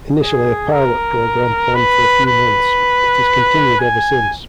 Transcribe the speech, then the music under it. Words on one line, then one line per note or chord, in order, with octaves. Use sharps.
Initially a pilot program planned for a few months, it has continued ever since.
G#4
A#4
B4
B4
G#5